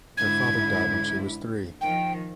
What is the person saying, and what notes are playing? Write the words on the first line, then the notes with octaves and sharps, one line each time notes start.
Her father died when she was three.
G#2 D3 E4 G#6
D#3 F3 G5